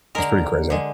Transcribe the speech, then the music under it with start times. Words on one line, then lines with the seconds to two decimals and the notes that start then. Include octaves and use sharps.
It's pretty crazy.
0.15 D3 G#3 A#4
0.70 D3 G#3